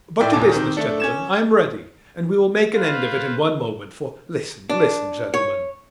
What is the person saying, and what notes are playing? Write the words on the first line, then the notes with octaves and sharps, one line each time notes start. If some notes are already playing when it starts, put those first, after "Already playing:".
But to business, gentlemen, I am ready, and we will make an end of it in one moment; for, listen, listen, gentlemen!
A2 D5 E5 G5
D#1 C2 A#2 C#4 A5 D6
D#3 C4
A3 D4 A4
C#4 G#6 E7
F4 B4 C5 F5
D4
C#5